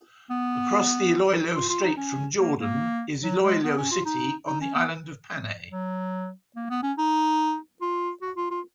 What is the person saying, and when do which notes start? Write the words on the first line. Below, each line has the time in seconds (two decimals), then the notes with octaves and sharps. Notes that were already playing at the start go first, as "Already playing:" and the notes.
Across the Iloilo Strait from Jordan is Iloilo City on the island of Panay.
0.31 B3
1.56 F4
1.69 F4
1.84 D#4
1.97 C#4
2.39 A#3
2.60 A#3
3.23 F#3
3.44 G#3
3.64 B3
3.78 C#4
3.91 F4
4.06 D#4
4.47 D#4
4.61 C#4
4.76 B3
5.72 F#3
6.56 A#3
6.70 B3
6.83 C#4
6.98 D#4
7.81 F4
8.22 F#4
8.37 F4
8.51 F4